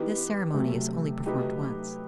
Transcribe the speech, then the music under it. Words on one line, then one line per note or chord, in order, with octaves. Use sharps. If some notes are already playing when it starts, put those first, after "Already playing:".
This ceremony is only performed once.
Already playing: E3 B3 D#4 G4
C3 F#3 A3
F#3 A3 D#4 G4 B4